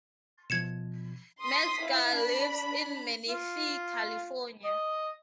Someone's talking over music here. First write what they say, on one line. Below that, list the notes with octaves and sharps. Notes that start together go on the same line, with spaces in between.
Metzger lives in Menifee, California.
B2 F3 G#6 C#7 E7
C6 D#6 B6
E4 F5
D4 B5
F4
D#5